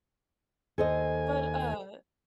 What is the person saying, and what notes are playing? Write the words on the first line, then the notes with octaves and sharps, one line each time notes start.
But, uh,
D#2 A4 C5 D#5 G#5